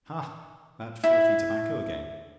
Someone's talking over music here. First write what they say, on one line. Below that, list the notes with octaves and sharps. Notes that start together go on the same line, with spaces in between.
Ha! that filthy tobacco again!
E4